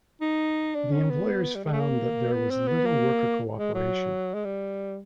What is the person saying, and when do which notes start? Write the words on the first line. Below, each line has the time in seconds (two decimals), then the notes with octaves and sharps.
The employers found that there was little worker co-operation.
0.21 D#4
0.75 D4
0.92 C#4
1.10 B3
1.55 G3
1.64 G#3
1.72 A3
1.80 A#3
2.33 B3
2.51 C4
2.68 B3
2.86 A#3
3.57 G#3
3.74 F#3
4.34 G#3
4.45 G3